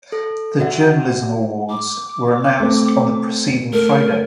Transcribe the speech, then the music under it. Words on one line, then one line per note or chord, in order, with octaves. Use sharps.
The journalism awards were announced on the preceding Friday.
A4
F#4 D5 E5 F#5
D6
A3 C4
A3 A#4